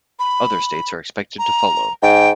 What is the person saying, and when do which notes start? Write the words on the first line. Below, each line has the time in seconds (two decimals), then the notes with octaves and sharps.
Other states are expected to follow.
0.19 B5
1.39 A#5
2.02 G#2 G5